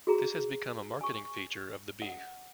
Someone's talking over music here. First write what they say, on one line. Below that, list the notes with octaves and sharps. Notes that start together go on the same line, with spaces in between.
This has become a marketing feature of the beef.
F#4 G#4 A#5
G#5 C#6
F#5